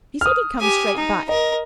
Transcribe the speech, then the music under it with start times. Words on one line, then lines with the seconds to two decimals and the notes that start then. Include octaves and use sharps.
He said he'd come straight back.
0.21 D#6 F6
0.60 G4 G#5
0.97 D#4
1.29 A#4 D#5